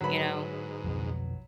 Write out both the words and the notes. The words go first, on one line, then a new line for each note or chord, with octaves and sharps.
you know?
G#2 D3 F#3 B4 B5
B1 F2